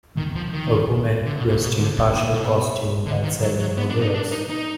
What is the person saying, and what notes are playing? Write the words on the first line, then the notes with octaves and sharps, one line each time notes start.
A woman dressed in a partial costume while selling her wares.
D#3
F3
D#3
D3
B2
A#2
B2
D3
B2
A#2
B2
D3
D#3
F#3
F#3
B3
D4
D#4
D4
D#4
D#4